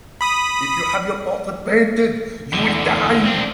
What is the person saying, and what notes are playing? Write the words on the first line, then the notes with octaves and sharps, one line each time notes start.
If you have your portrait painted, you will die.
B5 D#6
E2 D3
C4 D4